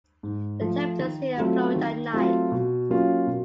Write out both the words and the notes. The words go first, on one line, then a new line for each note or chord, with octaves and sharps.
The temperatures here plummet at night.
G#2
F3 A3
D#3
F#3 A3 C4 F4
D#3
F#3 A3 C4 F4
B2
F#3 A#3 C#4 F4
B2